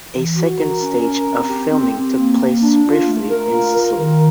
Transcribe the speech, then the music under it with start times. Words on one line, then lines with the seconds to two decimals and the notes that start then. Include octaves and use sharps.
A second stage of filming took place briefly in Sicily.
0.12 E3
0.35 F#4
0.57 A#4
0.80 C#4
1.02 A#4
1.26 C4
1.47 G4
1.71 C4
1.93 C4
2.16 A#3
2.39 A#3
2.61 D4
2.84 F4
3.06 A3
3.30 A#4
3.52 F4
3.75 A#4
3.98 D#3